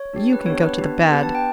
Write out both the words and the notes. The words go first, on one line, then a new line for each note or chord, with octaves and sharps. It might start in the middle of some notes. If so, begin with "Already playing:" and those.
You can go to the bad.
Already playing: C#5
D4 G4
B4
B3 D4 G4 C#5
B4
B3 D4 G4
B3 D4 G4 B4
A5
G5